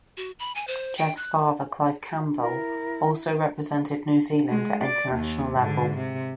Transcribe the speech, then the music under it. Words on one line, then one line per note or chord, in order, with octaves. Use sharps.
Jeff's father, Clive Campbell also represented New Zealand at international level.
F#4
B5
G#5
C5
G5
F#6
E4 A#4
G#3
D5
D#2
G#2 D3
C3